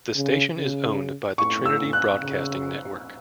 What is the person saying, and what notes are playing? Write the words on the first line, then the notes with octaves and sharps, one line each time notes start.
The station is owned by the Trinity Broadcasting Network.
C#3
C#3
A2 C#6
E6
F#6
C#3